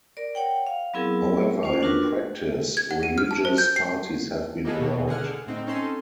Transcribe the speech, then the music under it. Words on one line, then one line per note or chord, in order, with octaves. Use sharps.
However, in practice, religious parties have been allowed.
A#4 D5
C#5 F#5 G5
F5
F#3 B3 C4 E4 G#4 A#4
C#4 F4 C5
D4 F4 F#4 A#4 B4
G#6
F#5
D#7
F6
A5
C5
G6
C7
A#3 B3 D#4 G#4 A4
B2 E3
D3 G#4 F#5 F6
A2 C4 D#4
C4 C#4 D#4 A4 C6